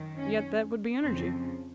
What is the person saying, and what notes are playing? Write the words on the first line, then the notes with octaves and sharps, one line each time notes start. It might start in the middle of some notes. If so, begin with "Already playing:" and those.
Yet that would be energy.'
Already playing: F#2 D#3
C#4
F2 C#3 F3 C4